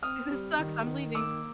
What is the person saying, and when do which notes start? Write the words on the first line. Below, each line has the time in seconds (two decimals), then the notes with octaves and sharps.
This sucks. I'm leaving.
0.02 C4 D#6 F6
0.31 G3
0.59 D#3
0.87 D#3
1.15 A#3 D6 E6